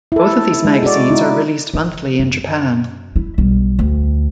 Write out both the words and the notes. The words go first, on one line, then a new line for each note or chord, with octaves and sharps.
Both of these magazines are released monthly in Japan.
E4 A4
G#3
F#4 D5
D#4 E4
D3
F#2
E4
B1 G3
D2